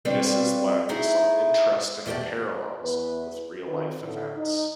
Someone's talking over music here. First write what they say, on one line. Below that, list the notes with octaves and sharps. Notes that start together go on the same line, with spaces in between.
This has led to some interesting parallels with real-life events.
G3 C4 D4 F4 B4 C#5
A3 D#4 E4 G#4
E2 A3 G4 A4 D5 A5
E2 B4
D#3 C4 B4
A2 D3
D#4